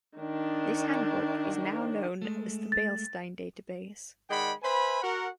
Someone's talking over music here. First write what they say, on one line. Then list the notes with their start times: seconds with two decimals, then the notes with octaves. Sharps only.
This handbook is now known as the Beilstein database.
0.18 D#3 D4
2.22 G#3 A3
2.72 A6
4.30 D#3 G#3 D5 F#5 G5 B5
4.63 B4 C5 E5 G#5 B5
5.02 F#4 A#4 F#5